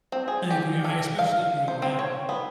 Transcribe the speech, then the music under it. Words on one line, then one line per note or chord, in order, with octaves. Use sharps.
I agree. I especially agree now.
C4
G#4
G4
A4
F5
C5
C4
C#5
B3